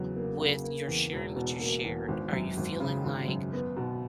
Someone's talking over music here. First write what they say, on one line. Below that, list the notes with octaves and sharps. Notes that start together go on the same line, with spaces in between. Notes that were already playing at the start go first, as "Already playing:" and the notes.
with your sharing what you shared, are you feeling like
Already playing: E2 C#3 F#3
A#3
C#3
A#3
E2
E1
B2
A#3
E2
G#1
F#2
G#1
C#3
G#1
F#2
B3
B2